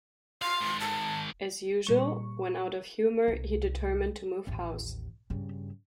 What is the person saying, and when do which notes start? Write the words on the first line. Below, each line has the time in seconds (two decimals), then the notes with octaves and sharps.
As usual, when out of humour, he determined to move house.
0.42 F5 C6
0.61 D#3 G#3
0.80 A5
1.87 A#2 G3 C#6
3.28 C2
4.47 A1 D#2
5.30 G2 C#3